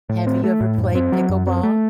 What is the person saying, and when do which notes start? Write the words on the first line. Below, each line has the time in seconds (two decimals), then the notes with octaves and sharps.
Have you ever played pickleball?
0.09 A2
0.27 C4
0.44 A3
0.61 A2
0.78 F#2
0.95 C4
1.12 F#3
1.29 F#2
1.47 C4
1.63 A3